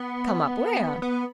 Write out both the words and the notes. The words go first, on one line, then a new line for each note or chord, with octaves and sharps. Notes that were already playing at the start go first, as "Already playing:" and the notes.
"Come up where?"
Already playing: B3
B3